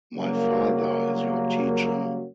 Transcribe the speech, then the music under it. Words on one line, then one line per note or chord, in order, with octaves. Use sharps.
My father is your teacher.
F#2 C#3 F#3 G3 A#3